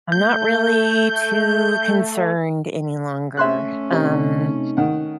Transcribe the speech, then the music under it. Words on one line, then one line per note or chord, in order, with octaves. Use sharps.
I'm not really too concerned any longer, um
A3 G6
A3 C#4 E5 C6 F#6
C3 D#4
D#3 F#5